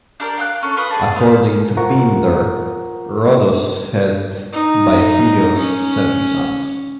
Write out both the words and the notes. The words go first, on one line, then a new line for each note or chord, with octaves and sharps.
According to Pindar, Rhodos had, by Helios, seven sons.
D4 G4 A#4 D5
F5 G5 D#6 F#6
C#4 A4
F4 B4 B5 D#6
G#4 C#5 D5 A5
B3 B4 C5 F6
F4 A#4 C5 F#5 A#5 C#6
D#4
C#4